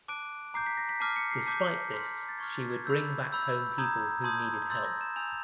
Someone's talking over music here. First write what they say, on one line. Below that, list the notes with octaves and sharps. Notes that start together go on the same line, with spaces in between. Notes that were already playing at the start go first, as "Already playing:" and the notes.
Despite this she would bring back home people who needed help.
A5 D6 F#6 D7
A#5 D6 G6 C7
B6
A#6
B6
A5 D6 F6 C7
C#7
C7
A5 D6 G6 B6
C6 F6 B6
A6
C#6 F6 G#6
A6
G#6
B5 E6 G6
B5 E6 G6
A#5 D#6 G6 G#6
A5 C6 D#6 G6 G#6
C6 E6 G6 A6
A#6
E7
G#5 C6 E6 G6 F7